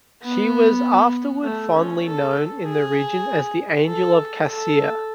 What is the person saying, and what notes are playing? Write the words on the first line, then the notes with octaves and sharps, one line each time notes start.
She was afterward fondly known in the region as the "Angel of the Cassiar".
B3
A3
C#4
A4
G#4
A4
A4